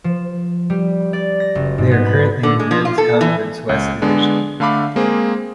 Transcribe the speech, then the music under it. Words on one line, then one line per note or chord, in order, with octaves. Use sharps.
They are currently in the Men's Conference West Division.
F3
G3
D5
A#6
F#1
G#2
B3
B5
D3
G#3
F3
F4
A4
E3
C#2
D3 G#3 B3 D4
D3 A3 F5 B5 D6
G#3 A#3 C4 G#4